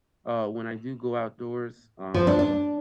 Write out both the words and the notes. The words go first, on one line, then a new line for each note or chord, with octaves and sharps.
uh, when I do go outdoors, um,
F3
D4
D4